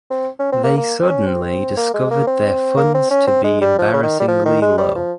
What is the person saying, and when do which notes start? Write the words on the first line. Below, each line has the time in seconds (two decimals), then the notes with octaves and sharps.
They suddenly discovered their funds to be embarrassingly low.
0.10 C4
0.39 C#4
0.52 C4
0.64 A#3
0.77 A#3
1.02 C4
1.10 C#4
1.27 C4
1.77 A#3
1.94 G#3
2.11 A#3
2.27 C4
2.77 A#3
2.94 C4
3.11 C#4
3.27 C4
3.44 G#3
3.61 G3
3.78 F3
3.93 C#3
4.03 D#3
4.20 G3
4.28 F3
4.45 D#3
4.62 G#3
4.78 G3
4.95 F3